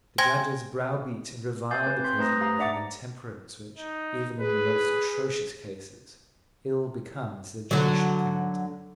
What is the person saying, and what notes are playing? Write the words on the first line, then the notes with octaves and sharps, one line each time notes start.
The Judges browbeat and reviled the prisoner with an intemperance which, even in the most atrocious cases, ill becomes the judicial character.
C5 G5 G#5 C6 G#6 A#6
F5 G#5 D6 G6 A6
C4 B4
C6 G6 B6
A3 B4 C5 A#5 D#6 A#6
G4 F5 A#5 D#6
D4 D5 E5 F#5 D6 A6
D#4
G#4 B4
D3 F#3